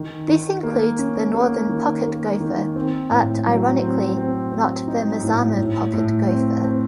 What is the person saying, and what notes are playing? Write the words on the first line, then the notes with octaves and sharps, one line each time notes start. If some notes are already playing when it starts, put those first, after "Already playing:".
This includes the Northern pocket gopher, but ironically, not the Mazama pocket gopher.
Already playing: D#3
D#3
A#3
C#4
A#3
D#3
A#3
D#3
C4
A2
F#3
C4
C4
C4
D#4
A2
A2
A2
C4
C4